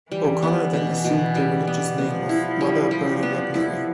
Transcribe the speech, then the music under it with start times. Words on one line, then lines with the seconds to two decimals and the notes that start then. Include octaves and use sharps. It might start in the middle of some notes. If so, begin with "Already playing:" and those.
O'Connor then assumed the religious name of "Mother Bernadette Mary".
0.11 E3 G3
0.43 B3
0.73 B2
1.04 B2
1.35 G3
1.67 B3
1.97 F3 B3
2.29 E4
2.61 G3
2.91 G3
3.23 B3
3.54 E4